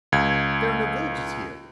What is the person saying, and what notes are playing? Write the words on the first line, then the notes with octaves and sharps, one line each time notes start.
There are no villages here?
C#2 G#6